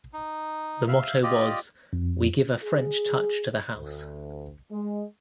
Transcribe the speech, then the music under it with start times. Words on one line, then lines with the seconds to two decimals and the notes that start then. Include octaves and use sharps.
The motto was: "We Give a French Touch to House".
0.13 D#4
0.88 E5 F5
1.23 F4 G4 D5 D#5
1.93 F2
2.63 G#4
3.76 D2
4.71 G#3